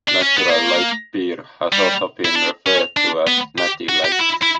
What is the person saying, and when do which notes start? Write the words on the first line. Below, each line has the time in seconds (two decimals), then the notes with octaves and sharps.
Natural Light Beer has also been referred to as Natty Light.
0.09 D4
0.23 C#4
0.36 B3
0.50 A#3
1.73 G3
2.25 E4
2.35 D4
2.66 C#4
2.97 D4
3.27 B3
3.58 G4
3.89 F#4
4.05 G4
4.12 F#4
4.19 E4
4.43 E4